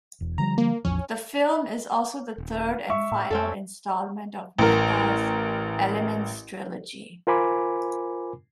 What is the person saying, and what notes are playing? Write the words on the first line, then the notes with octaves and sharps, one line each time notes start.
The film is also the third and final instalment of Mehta's "Elements trilogy".
E1
D3 F3 G3 A#5
A#3
A1 E2 F3 C#4
D#1
G#3 E5 C#6
A2 G3
F2 C4 C#4 A4
A1 A#4
F4 A#4 C5 G#5 B5 D6